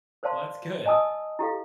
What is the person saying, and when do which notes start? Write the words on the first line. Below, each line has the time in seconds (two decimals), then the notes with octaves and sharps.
well, that's good.
0.23 A#4 C5 D5 F5 A5 C6
0.86 D#5 G#5 A5 D#6 E6
1.39 E4 G4 A4 F5